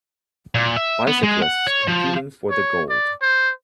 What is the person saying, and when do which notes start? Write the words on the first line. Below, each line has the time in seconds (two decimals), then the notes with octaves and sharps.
Bicyclists competing for the gold.
0.55 A#2
0.77 E5
1.08 B3
1.23 G#3
1.42 F#5
1.67 C#5
1.88 F3
2.50 C#5
2.89 D5
3.22 C5